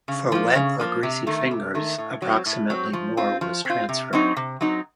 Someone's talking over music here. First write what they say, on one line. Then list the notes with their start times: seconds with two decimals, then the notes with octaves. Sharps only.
For wet or greasy fingers approximately more was transferred.
0.08 C#3
0.32 F3 A#3
0.55 C#3
0.80 F3 A#3
1.03 C3
1.27 D#3 A3
1.51 C3
1.75 D#3 A3
1.98 A2
2.22 F#3 C4
2.46 A2
2.70 F#3 C4
2.93 F3
3.17 C4 F4
3.41 F3
3.65 C4 F4
3.89 C3
4.13 F#3 C4 D#4
4.37 C3
4.61 F#3 C4 D#4